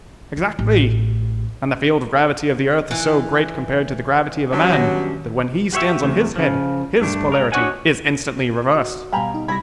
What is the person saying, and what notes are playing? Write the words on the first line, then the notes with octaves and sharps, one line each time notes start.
"Exactly, and the field of gravity of the earth is so great compared to the gravity of a man that when he stands on his head, his polarity is instantly reversed."
D#3
A1
E3
B2 F#3 G3 C#4 D4
D#3 A#6
F#4 G4 C5 C#5 E5
E2 C3 A3
C#3 F3
G2 A3 D4
G#3 A#3 A#4
D4 F#4 C#5 D#5 F#5 G#5
F#4
B2 G3 F5 G5 G#5 A#5 B5
D#4
C3 G3 E4 B5 G#6 A#6